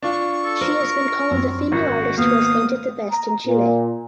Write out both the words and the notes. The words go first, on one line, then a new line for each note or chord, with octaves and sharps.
She has been called the "female artist who has painted the best in Chile".
D4 F4 C#6
A4
A#4 C5
F#2 C4
G#1 C#4 F#4
A#3 B3 F5 D#6
A#5
A#2